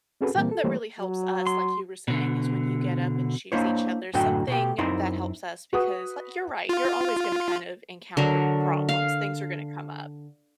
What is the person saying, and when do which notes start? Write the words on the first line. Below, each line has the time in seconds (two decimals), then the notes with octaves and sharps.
something that really helps us, like you were saying, is when you get up and choose each other, something that helps us because, like, you're right, you're always gonna kind of encounter problems, things are gonna come up,
0.21 C4 C#4 F#4 G#4 A4 B4
0.35 A#2 E3 G3 A#3 C4
0.51 A4
0.64 E3 G3 A3 A#3 C5 C#5
1.00 F#3
1.47 C6
2.08 B2 D3
3.52 A#3 D4 E4 C5 C#5
4.14 F#2 A2 D3 F#4 G5
4.48 B2 G4
4.78 F#2 C4 D#4 E4 A#4 C6
5.73 F#4 B4 F#5 D#6
6.69 F4
8.17 D3 F#3 A#4
8.89 F5